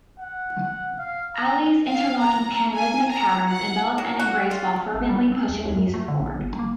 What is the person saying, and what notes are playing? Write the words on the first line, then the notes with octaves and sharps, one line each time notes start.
Ali's interlocking pan-rhythmic patterns envelop and embrace while fervently pushing the music forward.
F#5
F#5
F5
A#5
F5
A#5
G#5
A#5
F#5
F#3
F#4
F4
G#1
G3
C4
E2
D#2
F#2
A3
D3
A#1
G1
A#3